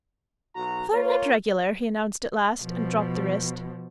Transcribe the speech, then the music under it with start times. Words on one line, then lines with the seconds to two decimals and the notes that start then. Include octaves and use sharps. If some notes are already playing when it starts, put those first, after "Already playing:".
"Firm and regular," he announced at last, and dropped the wrist.
0.56 B1 F#4 A#5
0.93 A#3 F4 C#5
2.62 B2 F3